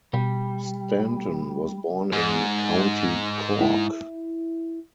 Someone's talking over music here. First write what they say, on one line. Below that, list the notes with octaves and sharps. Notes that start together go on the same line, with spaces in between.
Stanton was born in County Cork.
B2 G3
G#2
E4